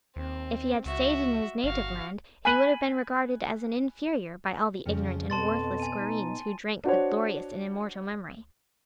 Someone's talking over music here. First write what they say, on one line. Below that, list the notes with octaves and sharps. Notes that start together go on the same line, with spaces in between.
If he had staid in his native land he would have been regarded as an inferior by all the ignorant and worthless squireens who drank the glorious and immortal memory.
D#2 C4
C#2 F#4 E5
G1 F#4 F5
G#5 B5 F#6 B6 D#7 F#7
F2 C#3 F3
F2 B2 B3 A5 C6 A6
G#5 D#7
D#4
D4 F#4 C5 C#5